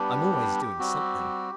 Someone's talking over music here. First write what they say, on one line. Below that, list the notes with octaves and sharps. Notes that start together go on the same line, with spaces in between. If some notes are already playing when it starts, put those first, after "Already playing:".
I'm always doing something.
Already playing: G3 B3 D4 G4
G3 C4 F#4